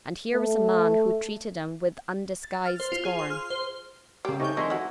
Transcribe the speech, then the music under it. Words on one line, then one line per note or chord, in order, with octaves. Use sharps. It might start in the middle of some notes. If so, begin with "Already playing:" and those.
And here was a man who treated him with undisguised scorn.
A3
A6
F6
C5
F4
G#4
C6
F6
C5
C#3 G3 A#3 C#4 C5 D6
C3 A3 C#4 D#4 C#6 G6
F2 D#3 G#3 D4 E4 A#5 C6
E3 F#4